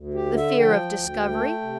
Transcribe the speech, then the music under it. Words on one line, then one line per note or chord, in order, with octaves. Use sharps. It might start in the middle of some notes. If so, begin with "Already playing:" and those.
The fear of discovery?
Already playing: D2
G4
D3
E5
F3 G5
D2
A3
C3